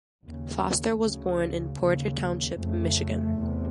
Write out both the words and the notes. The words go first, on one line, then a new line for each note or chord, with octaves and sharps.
Foster was born in Porter Township Michigan.
D#2 C#3
D2 C#3
D#2 C#3
F2 C#3 A3
E2 C3